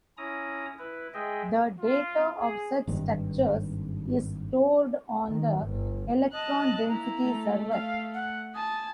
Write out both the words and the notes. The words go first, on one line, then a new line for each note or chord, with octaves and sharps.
The data of such structures is stored on the "electron density server".
C#4 E4 A#5 D#6
E4 B4
G#3 G#4 D#5 E5 G5
F4
G#4
G#1 G2
D#3
G1
D#5 A5 F#6
A#3 E4 A#5
A3
F5
F#5
G#5 A5 D#6